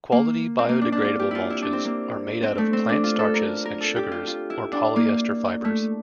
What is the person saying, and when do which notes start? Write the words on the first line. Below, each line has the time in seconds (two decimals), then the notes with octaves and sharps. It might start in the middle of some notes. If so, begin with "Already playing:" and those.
Quality biodegradable mulches are made out of plant starches and sugars or polyester fibres.
0.12 A#3
0.59 C4
0.69 A#3
0.81 D4
0.92 D4
1.04 F4
1.20 G4
1.31 E4 F4
1.50 E4
1.62 D4
1.73 C4
1.85 A#3
2.43 C4
2.58 A3
2.73 C4
2.89 D4
3.04 F4
3.19 A4
3.34 A#4
3.65 A#4
3.81 A4
3.96 G4
4.12 F4
4.27 F4
4.50 E4
4.72 D4
4.96 A#3
5.65 A3